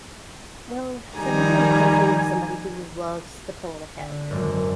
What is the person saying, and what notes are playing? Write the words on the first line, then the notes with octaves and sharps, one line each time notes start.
Well, for me, I'm definitely somebody who loves to plan ahead.
D#3 F3 G3 G#5 A#5
D3
G#1 F#2 D5